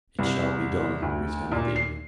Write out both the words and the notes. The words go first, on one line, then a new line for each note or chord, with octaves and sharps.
"It shall be done," returned the demon.
C2
D2
A#2
C7